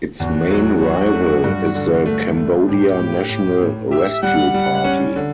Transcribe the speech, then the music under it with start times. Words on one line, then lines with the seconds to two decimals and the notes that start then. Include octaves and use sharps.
Its main rival is the Cambodia National Rescue Party.
0.20 E2 F#4
0.51 F#3
0.82 F#3
1.13 A3
1.44 G2
1.75 D3
2.06 A3
2.37 A3
2.68 A2 G4
2.99 A2
3.29 A2
3.61 A2
3.91 G4 E5
4.22 G3 F#5
4.54 G3
4.84 C#4
5.16 D3